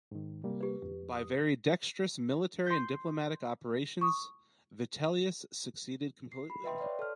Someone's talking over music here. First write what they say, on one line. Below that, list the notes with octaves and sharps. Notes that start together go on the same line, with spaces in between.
By very dexterous military and diplomatic operations Vitellius succeeded completely.
G#2 D#3
C3 G3 A#3
G4 B4
F2
D#6
C6 G6
C#6 D#6
C7
B5
B4 D#5 E5 G5 C6
C#5 D5 F5 C6
A4 F6